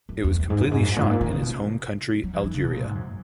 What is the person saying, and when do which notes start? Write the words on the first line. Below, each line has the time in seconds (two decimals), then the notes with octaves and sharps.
It was completely shot in his home country Algeria.
0.09 F#2
0.24 E2
0.40 F#2
0.50 G#2
0.61 F#2
0.71 G#2
0.83 F#2
0.96 A#2
1.01 G#2
1.11 A#2
1.21 D#3
1.31 C#3
1.42 B2
2.24 F#3
2.33 E3
2.44 D#3
2.54 C#3
2.64 B2
2.74 A#2
2.85 G#2
2.95 F#2